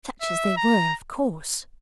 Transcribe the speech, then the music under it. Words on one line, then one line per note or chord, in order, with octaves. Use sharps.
"Such as they were, of course."
E5
A#5